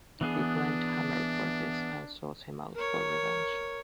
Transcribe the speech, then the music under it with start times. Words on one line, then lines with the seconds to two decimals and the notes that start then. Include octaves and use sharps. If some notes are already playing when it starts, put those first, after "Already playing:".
He blamed Hammer for this, and sought him out for revenge.
0.21 E3 B3 D4 G#4
2.75 A#4 C#5